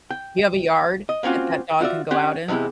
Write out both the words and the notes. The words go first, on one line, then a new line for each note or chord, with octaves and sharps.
You have a yard that that dog can go out in?
G5
D#5
A#3 C4 C#4 F4 F#4
F4 F#4 D5 E5
C#4 D4 G4 F#5
E2 C3 G#3 E4 G4